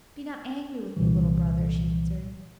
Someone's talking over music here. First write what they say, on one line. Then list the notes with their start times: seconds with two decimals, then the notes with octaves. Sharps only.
"Be not angry with me, little brother," she answered.
0.97 C2 A#2 E3